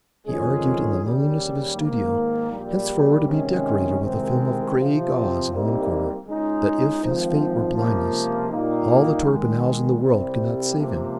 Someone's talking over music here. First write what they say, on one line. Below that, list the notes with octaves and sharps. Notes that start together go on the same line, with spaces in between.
He argued, in the loneliness of his studio, henceforward to be decorated with a film of gray gauze in one corner, that, if his fate were blindness, all the Torpenhows in the world could not save him.
F2 D#3 G#3 C#4 G#4
D#2 C#3 G3
G#2 D#3 A#3
A#1 A#2 G3
C3 D#3 G#3 C#4
C2 C3 D#3 G#3 C4
C3 F3 C4 F4
C2 C3 G3 A#3 D#4
C#2 C#3 G#3 D#4
G#1 G#2 F3 C4
C#2 C3 F3 A#3
A#2 G3 A#3 D#4
D#2 D#3 G#3
C2 C3 G3 C4
C#2 C3 F3 A#3